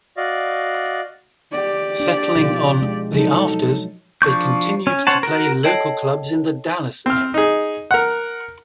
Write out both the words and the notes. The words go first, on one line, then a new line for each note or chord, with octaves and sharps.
Settling on "The Afters", they continued to play local clubs in the Dallas area.
F#4 D5 D#5 F5
G4 D5
D4
B2 F3 F4
G#3
F3 F#3 D#4 A4
F3 D4 C#6 G6
C#4
C#4 C5 C#5 F#5 A5
F#4 A#4
A4 C#5 D#5 G5 A5 C7
C4 F6
D#4 G#4
A#4 F#5